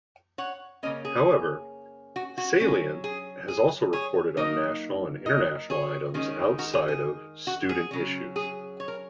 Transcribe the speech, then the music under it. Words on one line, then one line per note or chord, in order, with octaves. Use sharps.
However, "Salient" has also reported on national and international items outside of "student" issues.
C#5 F#5
C#3 A#3 C#4 A#4 D#5
G#4
F#4
F#4
F#3 C#4
G#4
G#4
G#4 C#5
F#3 A#3 D#4 A#4 D#5
A#4 D#5
G#4 C#5
D#3 G#3 C#4
F#4 A#4
G#4
G#4
F#4
G#4
C#3 F#3 C#4
G#4
C#5
A#4